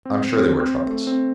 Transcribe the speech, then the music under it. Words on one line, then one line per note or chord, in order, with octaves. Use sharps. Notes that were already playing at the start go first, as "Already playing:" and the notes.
I'm sure they were trumpets.
C4
C4
C4
A3
C4